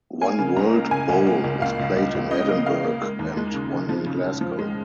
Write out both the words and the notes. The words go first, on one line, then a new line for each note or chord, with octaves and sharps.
One World Bowl was played in Edinburgh and one in Glasgow.
A#3 G#5
C#3
C#2 A#5
A#3
C#3 G#5
C#2
A#3
C#2
C#2 F5
C#2
C#2
C#2
C#3 D#5
A#3
C#3 F5
A#3
G#3
D#2
G#3
C#3
C#3
F3
C#3
C#3
F3
G#3